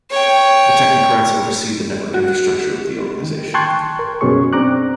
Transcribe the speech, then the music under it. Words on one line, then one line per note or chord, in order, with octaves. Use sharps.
The Technocrats oversee the network infrastructure of the organization.
C#5 G5
F#4
D#3
G5 A5 C6 C#6 F#6 G#6
A#4
F#2 B2 C#4 G#4 C#6
C4 D4 A#5 D6 F#6